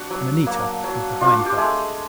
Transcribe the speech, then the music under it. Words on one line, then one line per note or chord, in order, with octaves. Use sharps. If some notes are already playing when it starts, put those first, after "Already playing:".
And Anita was behind her.
Already playing: D4 F#4
F#3
A#3
F#3
D4 F4
F#4
G4
G#3 A3 G#4